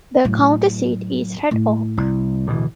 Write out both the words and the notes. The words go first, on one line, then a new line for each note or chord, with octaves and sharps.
The county seat is Red Oak.
A2 F#3
A2
C2 E4
D1 B2 E3